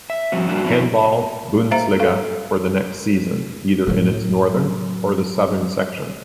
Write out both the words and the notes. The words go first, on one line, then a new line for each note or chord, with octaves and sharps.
Handball-Bundesliga for the next season, either in its northern or the southern section.
E5
F3 G3 C4 F#4
G3 A#3 D4 F#4
F3 F#3 B3 C4 D4 E4
C5 E5 F5 A#5
A4 F5
A2 F#3